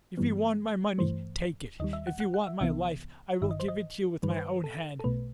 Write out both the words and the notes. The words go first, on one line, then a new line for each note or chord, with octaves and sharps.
If you want my money, take it; if you want my life, I will give it to you with my own hand.
G2 E3 G3 B3
G2 E3 A3 C5
D#2 D#3 G3 D#5
E5
F#5
F#5
F#5
E5
C2 C3 E3 B3 E5
G1 G2 D#3 E5
D#5
C5
D#5
G2 D#3 G3 B4
C5
B4
A4
A4
B1 B2 A3 B4